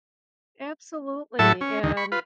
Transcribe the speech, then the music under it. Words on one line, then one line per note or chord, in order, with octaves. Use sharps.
Absolutely, and
A2 F#3 E4 A4 E5 A5
C#4
D2 D#3
B5 C#6
F4 B4